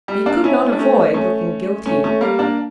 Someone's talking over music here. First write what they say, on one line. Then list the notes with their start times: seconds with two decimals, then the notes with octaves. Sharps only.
He could not avoid looking guilty.
0.08 G3
0.26 A#3 D4
0.44 C#4 E4
0.72 D4
0.79 A3 C#4
1.14 A3 C#4
1.86 A3 C#4
2.04 A3 C#4
2.21 G3 A#3
2.39 A#3 D4